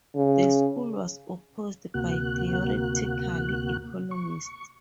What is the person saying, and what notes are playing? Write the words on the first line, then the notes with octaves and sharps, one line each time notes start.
The school was opposed by theoretical economists.
C#3
D2 C3 A#3 F#4 F#6
C#6